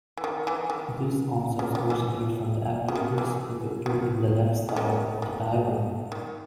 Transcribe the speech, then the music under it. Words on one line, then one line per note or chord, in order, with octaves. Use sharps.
These concepts originate from the activities depicted in the left side of the diagram.
E3
D#3
E3
D#3
C#3
D#3
E3
C#3
D#3
E3
D#3
C#3
D#3
D#3
D#3